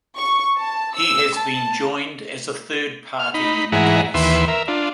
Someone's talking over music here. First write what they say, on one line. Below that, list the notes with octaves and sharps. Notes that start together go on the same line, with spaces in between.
He has been joined as a third party in the case.
C#6
A5
E6
A5
F6
D#4 B5
G#2 E3 E4 G#4 F#5 A#5
D#2 E3 B4 E5 C6
A#4 E5
D4 F4